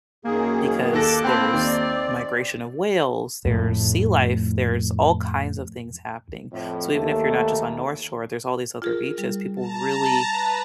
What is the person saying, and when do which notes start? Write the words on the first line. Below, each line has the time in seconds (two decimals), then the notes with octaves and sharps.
because there's migration of whales, there's sea life, there's all kinds of things happening, so even if you're not just on North Shore, there's all these other beaches. People really
0.25 F#2 D#3 A#3 G#4
0.93 D#2 A4 D6 F#6 A#6
1.24 C4 G5 A5 B5
1.53 D#2 C5 D5
3.45 F2 A2 A3
6.51 F2 A2
6.93 D#2 A3
8.82 F4 G#4 A#4
9.18 G3
9.56 A5 A#5
10.31 B4